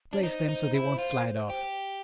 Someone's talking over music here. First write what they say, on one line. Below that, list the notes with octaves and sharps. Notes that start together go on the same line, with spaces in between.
Place them so they won't slide off.
D4 C#5
D#4 C5
D#4
E4
F4
G4